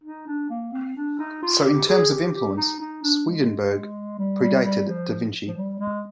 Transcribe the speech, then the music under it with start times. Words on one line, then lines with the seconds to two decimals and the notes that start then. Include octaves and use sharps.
So, in terms of influence, Swedenborg predated da Vinci.
0.04 D#4
0.27 D4
0.50 A#3
0.72 C4
0.96 D4
1.19 D#4
1.43 F4
1.65 G4
1.89 G#4
2.11 G4
2.34 G4
2.57 D#4
2.80 D#4
3.03 D4
3.27 G#3
4.19 G3
4.42 G3
4.65 G3
4.88 F3
5.48 F3
5.57 G3
5.80 G#3